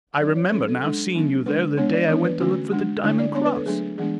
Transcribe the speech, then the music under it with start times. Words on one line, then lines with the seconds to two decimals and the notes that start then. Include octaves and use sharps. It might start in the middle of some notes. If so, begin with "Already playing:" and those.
"I remember, now, seeing you there the day I went to look for the diamond cross."
0.20 F#3 C#4 D5
0.36 C#5
0.51 F#3 C#4 A4
0.68 A4
0.83 G#3 D4 A4
1.15 F#3 B3 D4
1.46 D3 G#3 D4 B4
1.77 G#3 B3 D4 C#5
1.93 D5
2.08 E3 B3 D4 C#5
2.24 B4
2.40 D3 A3 C#4 F#4
2.72 G#3 D4
3.03 D3 A3 D4 E4
3.19 D5
3.35 G#3 B3 D4 C#5
3.45 B4
3.56 A4
3.66 F#3 A3 D4 G#4
3.98 E3 G#3 B3 D4 G#4